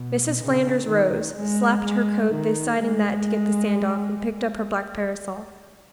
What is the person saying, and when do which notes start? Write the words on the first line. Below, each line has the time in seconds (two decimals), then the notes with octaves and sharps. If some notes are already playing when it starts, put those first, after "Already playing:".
Mrs. Flanders rose, slapped her coat this side and that to get the sand off, and picked up her black parasol.
Already playing: B2
0.41 C#3
0.88 D#3
1.37 G#3
1.85 G#3
2.34 D#3
2.82 G#3